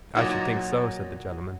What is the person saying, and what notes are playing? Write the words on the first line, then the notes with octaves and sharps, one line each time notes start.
'I should think so,' said the gentleman.
A#2 F#3 D#4